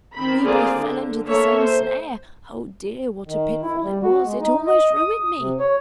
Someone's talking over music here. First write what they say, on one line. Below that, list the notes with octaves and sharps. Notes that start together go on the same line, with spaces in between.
We both fell into the same snare; oh dear, what a pitfall it was; it almost ruined me!
D#3 C4 B5
D3 A#3 C4 F4 G#4 D5
D3
A#3 A4 C#5 E5
C5
D#3
E4
G3
F#4
G#3
D#4
D#5
D#6
D#6
C3
C#5